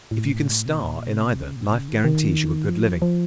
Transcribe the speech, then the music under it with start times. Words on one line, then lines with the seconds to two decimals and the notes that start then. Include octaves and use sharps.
If you can star in either, life guarantees you a good living.
0.11 A2
0.66 C3
0.76 A#2
1.07 C3
1.40 C#3
1.56 A#2
1.72 C#3
1.88 D#3
2.04 D#3
2.69 F3
3.02 F3